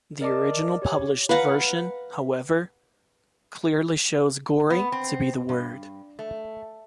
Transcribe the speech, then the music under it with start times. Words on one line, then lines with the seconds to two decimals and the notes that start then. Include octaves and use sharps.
The original published version, however, clearly shows "gory" to be the word.
0.21 A#4 D5 D#5 A5 D6
0.82 G4 C#5
1.29 B4 F5 F#5 A#5
4.70 B3
4.92 C4
5.49 G2
6.19 A3